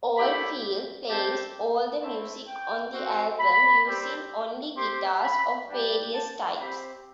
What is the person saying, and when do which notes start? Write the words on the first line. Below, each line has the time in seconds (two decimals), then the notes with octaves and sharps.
Oldfield plays all the music on the album, using only guitars of various types.
0.17 A3 E4 G4 B5
1.08 G3 C4 G4 A5
2.00 A3 C4 E4 A5
2.47 G5
2.92 C4 F#4
3.39 B5
3.84 G3 C4 G4
4.75 C4 G4 C6
5.21 B5
5.68 G3 D4 G4
6.14 A5
6.59 C4 G4 B5